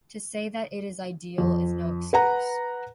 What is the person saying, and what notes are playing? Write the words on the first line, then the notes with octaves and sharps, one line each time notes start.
To say that it is ideal is no excuse.
F2
B4 F#5 A#5